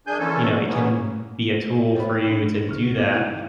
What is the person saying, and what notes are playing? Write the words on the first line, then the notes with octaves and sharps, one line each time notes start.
you know, it can be a tool for you to do that.
F#2 D4 G#4 G#5 G6
D3 E3 A#3 C#4 A4
E2 G#2 C#3 A#3 B3 C#4
C5 C#5 G5 B5
A#2 D4
C#2 C#3 D#4 F6
G#3 C4 D#4 D6
E4 E5 F5